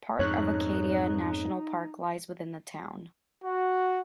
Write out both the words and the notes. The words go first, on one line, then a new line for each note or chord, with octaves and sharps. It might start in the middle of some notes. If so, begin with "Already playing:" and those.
Part of Acadia National Park lies within the town.
F2 G#2 D#4 C#5 F#6
F#4